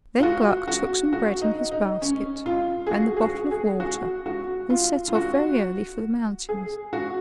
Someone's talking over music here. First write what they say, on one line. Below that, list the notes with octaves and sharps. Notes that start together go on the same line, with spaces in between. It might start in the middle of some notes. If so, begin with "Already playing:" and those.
Then Gluck took some bread in his basket, and the bottle of water, and set off very early for the mountains.
F4
F#4
F#4
F#4
D#4
D#4
C#4
F4
G#4
F#4
G#4
F#4
G#4
F#4
F#4
F4
F4
F#4
G#4
F#4